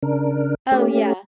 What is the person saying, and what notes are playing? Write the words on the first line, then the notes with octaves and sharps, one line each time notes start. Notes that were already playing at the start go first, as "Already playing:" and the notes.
Oh, yeah.
C#3 D4 A#4
A3 C#4 G4